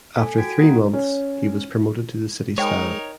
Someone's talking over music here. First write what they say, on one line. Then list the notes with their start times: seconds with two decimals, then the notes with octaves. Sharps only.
After three months he was promoted to the city staff.
0.16 A4 G#5
0.38 F#4 G5 G#6 B6 D7
0.58 A#3 F#5 A#5
0.93 C#4
2.58 G#3 D#4 A#4 C5 C#5 G5